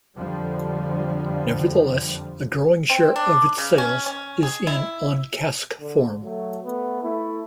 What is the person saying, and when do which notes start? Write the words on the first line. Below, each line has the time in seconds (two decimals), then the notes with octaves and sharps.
Nevertheless, a growing share of its sales is in on-cask form.
0.16 F2 D3 F3 G3
2.90 C4
3.16 D4
3.58 C#3
3.78 C#4
4.06 C#4
4.43 G#4
4.67 E4
5.79 D3
6.22 F#3 A3
6.63 A3 B3
7.02 A3 E4